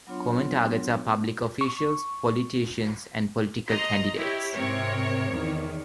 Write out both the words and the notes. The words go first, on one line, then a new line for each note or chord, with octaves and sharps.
Common targets are public officials, politicians, and political candidates.
F#3 B3 D4 F4 C#5 C6
C#6
D#5 A#5 C6
E4 G4 C#5
G#2 C3 C4 A#4 C#5
E2 D#3